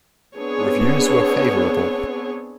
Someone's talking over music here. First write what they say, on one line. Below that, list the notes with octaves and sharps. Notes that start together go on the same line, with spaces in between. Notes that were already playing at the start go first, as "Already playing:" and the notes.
Reviews were favourable.
B3 C4 D4 G#4 C#5